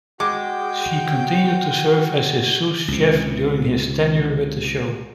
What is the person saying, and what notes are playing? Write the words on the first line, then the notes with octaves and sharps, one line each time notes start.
She continued to serve as his sous chef during his tenure with the show.
G#3 F#4 G5 D6
C#2 C3